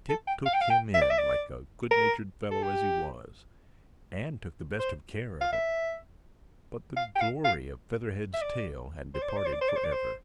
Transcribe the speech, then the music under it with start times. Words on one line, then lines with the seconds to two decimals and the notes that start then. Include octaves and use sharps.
Tip took him in, like a good-natured fellow as he was, and took the best of care of him; but the glory of Featherhead's tail had departed for ever.
0.09 A4
0.27 G5
0.46 F5
0.53 G5
0.61 F5
0.70 G5
0.94 E5
1.01 D5
1.10 E5
1.18 D5
1.91 A#4
2.51 A4
2.63 G4
4.79 C5
5.41 F5
5.52 E5
6.96 F5
7.15 G5
7.20 F5
7.44 F5
8.33 E5
8.41 D5
9.14 C5
9.22 D5
9.29 C5
9.37 D5
9.46 C5
9.53 D5
9.61 C5
9.69 D5
9.76 C5
9.84 D5
9.92 C5